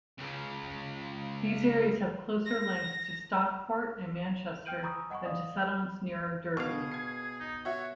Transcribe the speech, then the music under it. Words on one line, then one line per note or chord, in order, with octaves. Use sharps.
These areas have closer links to Stockport and Manchester than to settlements nearer Derby.
C#2 C#3
A#6
G5 F6 G6 D7 D#7 F#7
G#5 A#5 B5 C#6 D#6 E6
D#5 F#5 G#5 B5 C#6
D5 D#5 F5 D#6
B2 G#4 F5 C#6
G#6 C7
D#4
F#4 C#5 E5